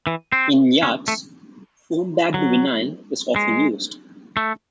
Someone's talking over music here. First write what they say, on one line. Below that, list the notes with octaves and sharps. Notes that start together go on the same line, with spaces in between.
In yachts, foam-backed vinyl is often used.
E3
C4
C#4
A3
F#3
G#3
A3